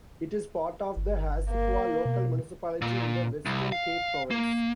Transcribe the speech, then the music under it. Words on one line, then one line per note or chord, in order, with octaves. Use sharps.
It is part of the Hessequa Local Municipality in the Western Cape province.
G1
A#3
B2
A#2
C2
F5
A#3